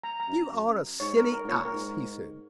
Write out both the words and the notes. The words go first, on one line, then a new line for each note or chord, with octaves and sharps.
"You are a silly ass," he said.
A#5
A#5
F#2
F#2
G#2 C#5
A#4
A#4
G#2
A#2 C#5
A#4
G#2